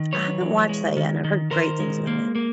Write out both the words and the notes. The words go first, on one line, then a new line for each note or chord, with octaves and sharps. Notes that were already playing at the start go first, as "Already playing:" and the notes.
I haven't watched that yet, and I've heard great things about it.
Already playing: D#3
F#3 B4 C#5
E3
G#3
D#3
D#3
D#3 A#4 C5
G#3
A#3
A#3